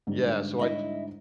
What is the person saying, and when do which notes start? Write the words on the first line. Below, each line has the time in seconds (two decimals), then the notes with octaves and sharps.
yeah, so, I t
0.07 G#2 D3 G3
0.59 E4 D#5 E5